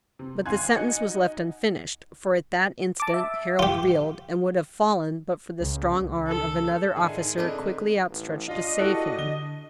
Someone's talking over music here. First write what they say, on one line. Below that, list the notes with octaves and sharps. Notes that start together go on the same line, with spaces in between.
But the sentence was left unfinished; for at that instant Harold reeled, and would have fallen but for the strong arm of another officer quickly outstretched to save him.
C3
G#1 F5 G#5 C6 F#6 G#6
D#4 F#4 G#5 C#7
A5 D6
E5
F4 G4
C#2
C#2
A4
G#2 D#3 G#3 D4 G#4 E5 G#5
C4 D4 D#4 A4 B4
A1
D4 F4 D#5 F5
E4 F#4 G4 A4 F#6
D3 G7